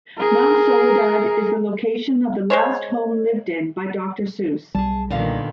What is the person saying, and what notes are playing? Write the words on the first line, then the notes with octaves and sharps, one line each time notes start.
Mount Soledad is the location of the last home lived in by Doctor Seuss.
G#4 A#4
G#3 C5 C#5
B1 G3 G#4 A5
A#2 D3 D#3 B3 F5